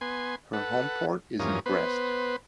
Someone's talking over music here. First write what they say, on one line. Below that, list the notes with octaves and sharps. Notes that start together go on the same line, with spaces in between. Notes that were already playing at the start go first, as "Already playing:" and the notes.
Her homeport is in Brest.
B3 G#5 C6
A4 B4 F#5
E2 G2 F3 C#4 A#4 D#6
B3 B4 C5